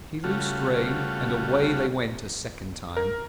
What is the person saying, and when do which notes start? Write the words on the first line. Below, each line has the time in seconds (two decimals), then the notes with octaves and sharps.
He loosened rein, and away they went a second time.
0.24 C#3 G3 A3 F4 F#4
2.97 A#4